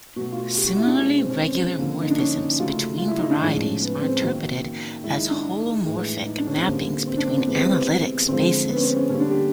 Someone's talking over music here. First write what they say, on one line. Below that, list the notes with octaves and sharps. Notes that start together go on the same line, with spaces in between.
Similarly, regular morphisms between varieties are interpreted as holomorphic mappings between analytic spaces.
B2 F#3 A3 F#4
F4
F#4
G4
F#4
E4
D4
B2 G#3 C#4
C4
C#4
C4
D3 F3 A#3
D#4
D4
C#4
C#3 F#3 A3 F4
F4
E4
D#4
D4
A2 F3 G#3 C#4
B3
C4
D#3 F#3 A#3
D#3 G#3 E4
D#4
D4
A2 E3 G#3
D#4
D4
C#4
C4
D3 G3 A#3
C4
D4
C4
C4
C3 E3 G#3 B3
C4
B3
D3 F3 G#3 C4
B3
C#4
C4
C#4
D3 G3 A#3 C#4
D4
G4